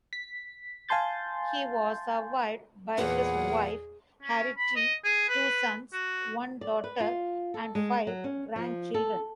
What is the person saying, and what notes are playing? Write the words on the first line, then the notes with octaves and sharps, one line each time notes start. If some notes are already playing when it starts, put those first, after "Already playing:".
He was survived by his wife, Harriet, two sons, one daughter, and five grandchildren.
B6
F5 G#5 A5 C6 G6 A6
E2 A#2 G#4 B4 C#5 F#5
C#4
B5
D#5
G#4
B4
F#4
D5
B4
F4
A4
G#3
F#3
C#4
F3
A4